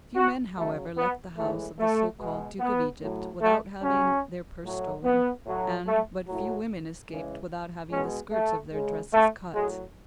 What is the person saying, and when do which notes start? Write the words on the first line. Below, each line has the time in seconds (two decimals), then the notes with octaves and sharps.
Few men, however, left the house of the so-called Duke of Egypt without having their purses stolen, and but few women escaped without having the skirts of their dresses cut.
0.16 F#4
0.56 C#3 F#3 A3
0.96 B3
1.37 A2 E3 G#3 A3
1.78 A3
2.19 B2 G#3
2.60 B3
3.01 A2 F#3
3.41 A3
3.82 C#3 F#3 C#4
4.64 A2 F#3
5.04 B3
5.45 A2 F#3
5.86 A3
6.27 A2 F#3
7.09 C#3 E3 G#3
7.90 B2 G#3 C#4
8.31 A3
8.72 C#3 G#3
9.13 A3
9.53 A2 F#3 G#3